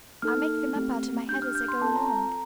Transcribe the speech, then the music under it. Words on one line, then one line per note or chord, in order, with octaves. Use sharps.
"I make them up out of my head as I go along."
A#3 D#4 A4 F6
A3 C4 G4
D4 G4 G6
F6
G6
C6
C4 F4 A4 A5
A#5
A#5